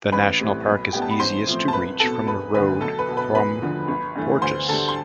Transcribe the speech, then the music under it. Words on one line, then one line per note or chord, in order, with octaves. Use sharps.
The national park is easiest to reach from the road from Porjus.
A1 B4 B5
A2 G3 C4
B1
A2 G3 B3 G5
A5
B5
A1 C5 C6
A2 F3 C4
A5
C2 B4 B5
B2 B3 A4 A5
E1 B4 B5
D2 D3 B4 B5
B1 A4 A5
B4 B5
B2 B3
B4 B5
E1 B4 B5
D2 D3 F3
G1
G2 E3 A3
D2 C5 C6
D3 G3 A4 A5
C6